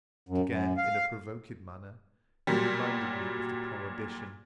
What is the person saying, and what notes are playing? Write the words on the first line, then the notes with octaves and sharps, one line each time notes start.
But again, in a provoking manner, he reminded me of the prohibition.
F#2
F#2
F5
A#2 F#3 G3